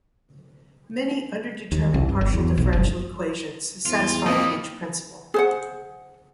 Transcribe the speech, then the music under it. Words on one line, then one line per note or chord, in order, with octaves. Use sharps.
Many underdetermined partial differential equations satisfy the h-principle.
D#2
C2
G2
G1
E2
B1
F#1
E2 G#2 F4
F3 G3 A#3 C4 D#5
G#4 C5 F#5